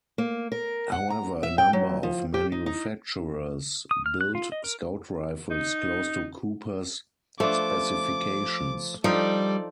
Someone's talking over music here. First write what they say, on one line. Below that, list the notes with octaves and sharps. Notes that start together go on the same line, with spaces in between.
However, a number of manufacturers build scout rifles close to Cooper's specifications.
A#3
A#4
F#5
A#5
E5
G5
F#3
F3
G4
D#4
D#4
D#6
F6
F#6
F4
D#5
A#4
D#4
F3 A3 D4 D6
F3 G3 D4 D#4 A4 D5